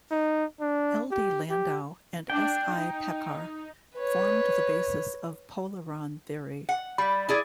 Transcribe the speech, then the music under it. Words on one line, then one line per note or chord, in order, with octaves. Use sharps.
L. D. Landau and S. I. Pekar formed the basis of polaron theory.
D#4
D4
G4
G4
D4 G5
D#4
B4 C#5
F#5
G3 B5
E4 G#4 D5